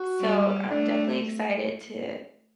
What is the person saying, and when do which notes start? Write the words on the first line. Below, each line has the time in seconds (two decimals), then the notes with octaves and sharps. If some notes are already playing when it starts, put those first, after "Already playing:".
So I'm definitely excited to
Already playing: F#4
0.20 G3
0.71 A3 D4